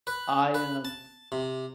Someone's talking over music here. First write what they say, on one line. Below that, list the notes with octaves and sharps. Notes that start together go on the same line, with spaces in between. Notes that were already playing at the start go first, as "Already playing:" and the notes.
I am
B4
B4
A5
C3